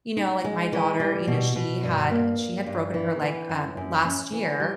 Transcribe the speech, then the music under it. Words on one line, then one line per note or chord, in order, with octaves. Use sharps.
you know, like my daughter, you know, she had uh, she had broken her leg, um, last year,
D#4
G#3
E3
G3
B2
B2
G2
A#3
G2
G2
E3
E3
F#2
F#2
C#4
E3
G3